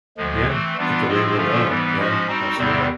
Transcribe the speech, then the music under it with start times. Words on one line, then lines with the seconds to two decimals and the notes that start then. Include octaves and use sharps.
Yeah, at the rate we're going. Yeah, absolutely.
0.17 D2 D3 F3 G#3
0.47 E3 A3 C4
0.77 E3 G3 B3 D4 F4
1.07 A2 F3 G#3 C4 F4
1.37 D3 F3 A3 C#4 F4
1.67 G#2 E3 G3 B3
1.97 G#2 F3 G#3 C#4 F#4
2.27 G3 C4 D#4 F#4
2.57 E2 C3 D#3 G3 C4